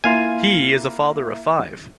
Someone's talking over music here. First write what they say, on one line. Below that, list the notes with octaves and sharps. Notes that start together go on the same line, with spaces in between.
He is a father of five.
A#3 E4 F4 F5 G#5